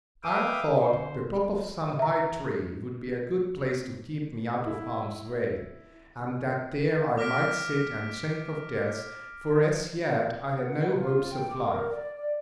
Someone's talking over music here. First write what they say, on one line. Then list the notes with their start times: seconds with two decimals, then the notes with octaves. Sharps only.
I thought the top of some high tree would be a good place to keep me out of harm's way; and that there I might sit and think of death, for, as yet, I had no hopes of life.
0.24 B4 E5 F5 G5 D6 D#6
0.77 D3 C5
1.99 E5 A#5
4.66 E4
7.18 D6 F6 A#6 B6 D7
10.54 F#5
10.84 B4
10.96 F4
11.30 G5
11.49 D6
11.71 A#4
11.91 D5
12.15 D5